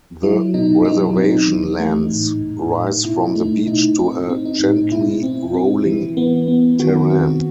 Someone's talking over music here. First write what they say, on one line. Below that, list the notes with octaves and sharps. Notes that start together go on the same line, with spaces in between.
The reservation lands rise from the beach to a gently rolling terrain.
F#3 E4
B2 D#4
F#3 D#4
C4 D#4
E3
A3
A2
A2
A2
B2 E4
A3 D#4
B2 D#4
C4 D#4
C4
D#4
A2
B2 E4
C4
C4
E3
B3
B3
D#3 F#4
C4